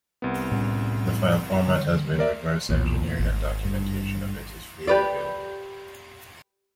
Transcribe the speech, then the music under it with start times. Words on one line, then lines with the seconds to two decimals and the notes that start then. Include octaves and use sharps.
The file format has been reverse-engineered and documentation of it is freely available.
0.22 C2 B3
0.51 A2 G3 C#4
1.67 D3 D#3 G3
2.19 A#4 D5 E5
2.69 B1 E2 A#2
3.19 G#1
3.65 G2
4.88 G4 B4 D5